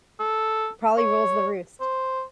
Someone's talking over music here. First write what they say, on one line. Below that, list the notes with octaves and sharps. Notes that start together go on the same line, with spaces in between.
Probably rules the roost.
A4
C#5
C5